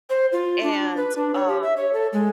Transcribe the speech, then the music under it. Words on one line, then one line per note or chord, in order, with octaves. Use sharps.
and, um
C5
F4
D4
B4
D4
C#5
G4
E5
C#5
A4
G#3